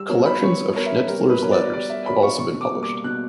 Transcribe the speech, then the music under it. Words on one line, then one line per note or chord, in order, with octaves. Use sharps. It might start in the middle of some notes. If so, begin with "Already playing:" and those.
Collections of Schnitzler's letters have also been published.
Already playing: G3 E6
B3 F#4 A#4 C#5
B5
G3 C#5
B3 F#4 A#4 C#5
E5
G3 A#4
B4
B3 F#4 A#4 C#5
D5
G3 D5
E5
B3 F#4 A#4 C#5 B5
C#6
B2 C#6
D6
G3 A#3
D6
B2 F#6